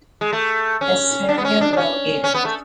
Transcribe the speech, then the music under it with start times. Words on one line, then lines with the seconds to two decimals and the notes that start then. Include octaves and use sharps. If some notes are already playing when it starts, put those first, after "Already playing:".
Esperia relegated.
0.21 G#3
0.33 A3
0.81 C#4
1.29 D4
1.38 B3
1.45 C#4
1.61 D4
1.73 D4
1.77 C#4
2.24 C#4
2.35 B3
2.45 A3